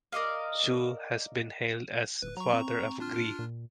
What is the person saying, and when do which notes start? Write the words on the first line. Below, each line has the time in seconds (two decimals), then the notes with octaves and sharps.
Zhu has been hailed as "Father of Gree".
0.12 A#4 D5 D#5 F5
2.22 D1 B4
2.37 F#3 A#5 C#6
2.53 C4
3.00 D4 F4 F6
3.39 A#2